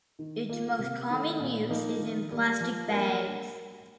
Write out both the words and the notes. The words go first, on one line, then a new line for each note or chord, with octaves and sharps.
Its most common use is in plastic bags.
D#3
A#3 F4
C3
D#3 A3
A#2
F3 A#3 D#4
D#3
G3 A#3
F3
A#3 D4 G4 A#4